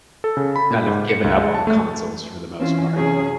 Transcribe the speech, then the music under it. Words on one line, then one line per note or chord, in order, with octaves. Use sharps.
kind of given up on consoles for the most part,
A4
C#3
B5
A#2
G#2
C#7
C#2
G#3
A5
A3
E3 C4 C#4 F4 C5
F#2 C3 G#4